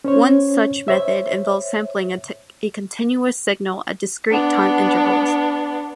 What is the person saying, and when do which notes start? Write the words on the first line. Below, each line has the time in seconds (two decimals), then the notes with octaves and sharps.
One such method involves sampling a continuous signal at discrete time intervals.
0.05 C#4 C5 C#5
0.88 C5 C#5 E5
4.31 B3 D4